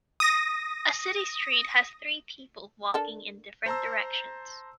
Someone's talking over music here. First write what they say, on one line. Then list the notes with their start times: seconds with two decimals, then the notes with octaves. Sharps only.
A city street has three people walking in different directions.
0.20 D#6 A#6
2.94 D4 A4 A#4
3.66 C5 A5 A#5 C6 E6